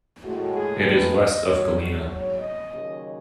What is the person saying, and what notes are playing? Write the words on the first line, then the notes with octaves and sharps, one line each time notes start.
It is west of Galena.
A2 G#3 F#4
G#4
B4
D#5
G#2 F#3 C#5
C#5
C#5
D#5
D#2 C#3 F#3